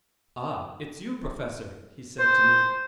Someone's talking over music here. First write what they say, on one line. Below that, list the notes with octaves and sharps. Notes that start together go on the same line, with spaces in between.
"Ah, it's you, professor!" he said to me.
C5